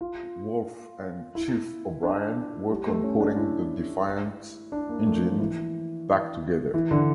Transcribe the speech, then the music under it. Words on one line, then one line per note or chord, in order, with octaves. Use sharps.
Worf and Chief O'Brien work on putting the "Defiant"s engines back together.
F4
E4
D4
G3
A3
C#4
D4
E4
D4
A#3
A3
F3
E3
E3
D3